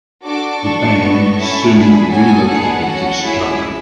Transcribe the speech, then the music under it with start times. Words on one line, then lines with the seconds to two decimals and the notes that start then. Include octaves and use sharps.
The band soon relocated to Chicago.
0.23 D4 F#4 A4 D6
0.61 D4 A4 C#6
0.98 B3 D4 F#4 A4
1.36 C#4 E4 A4
1.73 D4 G#4 B5
2.11 C#4 F#4 A4 G#5
2.48 B3 D4 G#4 F#5
2.85 C#4 F#4 A4
3.23 C#4 E4 G#4